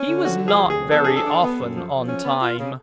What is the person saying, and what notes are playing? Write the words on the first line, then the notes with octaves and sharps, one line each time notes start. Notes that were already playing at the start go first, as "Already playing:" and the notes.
He was not very often on time.
Already playing: C#4
D3
F3 F#4
F3
G#4
D2
G#4
F3
B3 A4
D4 G#4
A4
D4
B3
F#2
F3
F3
C#4
B3
F4
C#3